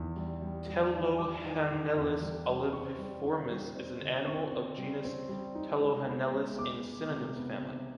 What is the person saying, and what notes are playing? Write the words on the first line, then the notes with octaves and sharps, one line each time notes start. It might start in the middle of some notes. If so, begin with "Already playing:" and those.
Thelohanellus oliviformis is an animal of genus Thelohanellus in Synonyms family.
Already playing: E2 D#3
G3
G3
G3
D#3
G3 D6
D#3
D#3
E2
G3
G3
C4 C#6
G3
D#4
G3
C4
D3
C4 C#6
C4
G3
C4
G3
D#4
G#3
B3
G#3
B3 D6
G#3
C3
B3
C3